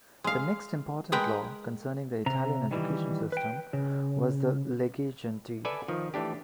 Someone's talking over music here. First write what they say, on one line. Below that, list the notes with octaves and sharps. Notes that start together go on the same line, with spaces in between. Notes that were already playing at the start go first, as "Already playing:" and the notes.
The next important law concerning the Italian education system was the "Legge Gentile".
G#3 F5
G#3 A#4 B4 G5
C3 A#5
D#3 E3 G3
B4 G5
C#3
A4 B4 D5 E5 G#5 A5
D#3 F3
E3 A3 D4 G4